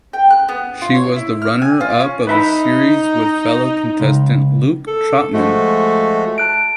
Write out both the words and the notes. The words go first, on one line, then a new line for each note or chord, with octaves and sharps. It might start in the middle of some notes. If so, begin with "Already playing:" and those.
She was the runner up of the series with fellow contestant Luke Trotman.
G5
F#6
B3
F4
C#5
E4
F6
G#5
F4
C#4
D#4 B4 E5 B5
C#2
A4
F3 G#3 A3 F#4
A5 F#6 D7